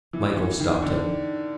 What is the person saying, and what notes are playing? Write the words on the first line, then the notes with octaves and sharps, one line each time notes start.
Michael stopped him.
E3
E3
D#3
D3